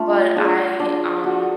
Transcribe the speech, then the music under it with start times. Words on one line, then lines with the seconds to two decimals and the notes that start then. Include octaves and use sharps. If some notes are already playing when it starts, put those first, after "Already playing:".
But I, um
Already playing: A3 D4 F4
0.36 D4 F4 G#4
0.80 D4
1.24 F#4 A4